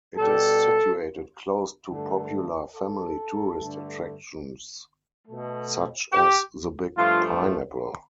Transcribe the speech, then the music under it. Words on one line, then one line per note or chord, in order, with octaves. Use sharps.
It is situated close to popular family tourist attractions such as The Big Pineapple.
B2 G3 A4
G2 D3 A3
A4
G2 D3 A3
B2 A3
G4
G2 F3 A3 F4